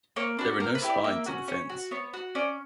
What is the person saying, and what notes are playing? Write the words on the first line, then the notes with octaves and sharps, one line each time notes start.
There are no spines in the fins.
A#3 C#5
D4 F#4 B4
A#3 A#4
B4
E4 G4
D5
A#3 E5
C#4 F#4
C#4 C#5
F#4
B3 C#5
F#4
C#4 D5